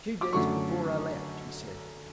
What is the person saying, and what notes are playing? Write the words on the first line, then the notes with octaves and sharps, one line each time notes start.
"Two days before I left," he said.
D6
F#2 D3 F#3 A3 C#6